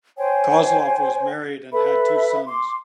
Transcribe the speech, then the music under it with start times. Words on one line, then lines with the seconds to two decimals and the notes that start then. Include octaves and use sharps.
Kozlov was married and had two sons.
0.17 C5 C#5 G5 G#5
1.72 A4 B4 E5 B5
2.47 C6 D6